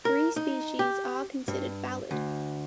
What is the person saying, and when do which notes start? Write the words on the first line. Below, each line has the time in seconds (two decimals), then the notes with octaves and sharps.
Three species are considered valid.
0.05 A#4
0.36 D#4
0.79 G4
1.48 G2
2.11 D2